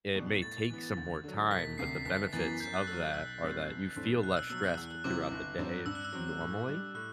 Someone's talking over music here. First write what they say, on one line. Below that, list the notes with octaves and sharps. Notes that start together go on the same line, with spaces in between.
it may take some more time, but the benefits of that, are that, you feel less stressed throughout the day, normally.
E2 B2 G3 D4
A2 A6
E3 B3
D2
D3 F#3
E1 B6
D2 C3 C7
G1 B6
F#2 E3 B3 A6
F#2 G6
F#6
F#3 A3 E6
B1 E6
A2 G3 C4
G1
G2 E3 A3 C4
B1 F#6
E6
B2 F#3 E6
F#6
E2 E6
C3 F#3 C4 E4 D6
G1
G2 F#3 C4
G2 E6
F#6
E6
F#3 C4
A2
G3 D4
A2 F#6